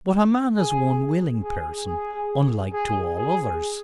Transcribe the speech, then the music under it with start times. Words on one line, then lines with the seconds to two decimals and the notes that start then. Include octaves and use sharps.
'But a man is one willing person, unlike to all others.'
0.57 G#4
1.43 G#4
1.86 G#4
2.72 G#4
3.16 G#4